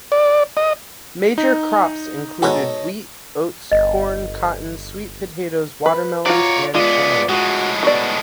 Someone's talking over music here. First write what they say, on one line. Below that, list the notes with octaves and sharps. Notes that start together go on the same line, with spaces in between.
Major crops included wheat, oats, corn, cotton, sweet potatoes, watermelons, and cantaloupes.
D5
D#5
D#4
G#2 B2 F#4 A4 C#5 D#5
G1 D#5
B4
F4 F#4 C#5 D5 A#5
G#3 B3 F4 D5
A2 G#3 F#4
B3 F#4 D5